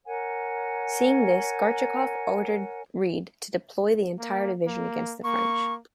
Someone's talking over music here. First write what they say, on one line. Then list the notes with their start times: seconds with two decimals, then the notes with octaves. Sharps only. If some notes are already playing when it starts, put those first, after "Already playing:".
Seeing this Gorchakov ordered Read to deploy the entire division against the French.
0.05 A#4 C#5 F#5 G#5
4.19 A#3
4.66 A#3
5.24 A#3 C#6